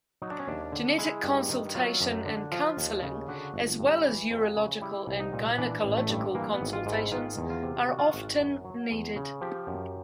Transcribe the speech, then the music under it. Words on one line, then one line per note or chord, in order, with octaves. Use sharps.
Genetic consultation and counseling as well as urological and gynecological consultations are often needed.
F#3 D#4
D4
C#4
D#2 D4
D3
G#3 E4
G2
D#3
F#3 F4
F#2
D3
F3 F4
D#2
C#3
D3 F#4
G1
G2
E3
F2
C#3
G3 E4
C2
D#4
A#2
E3 D4
A1
A3
G2
E3 A#3
B3
G#1
F4
G#2
E4
D#3 F4
E2
F4
C3
D#3 F#4
F4
F#4
G#1
F#2
F#3
E2
C#3
F3 G4
F#2